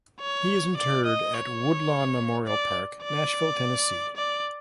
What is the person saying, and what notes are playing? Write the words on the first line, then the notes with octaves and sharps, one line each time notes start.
He is interred at Woodlawn Memorial Park, Nashville, Tennessee.
C#5
D5
D#5
C#5
D5
D5
D5